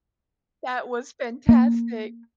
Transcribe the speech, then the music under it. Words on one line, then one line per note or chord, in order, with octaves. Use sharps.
That was fantastic!
A#3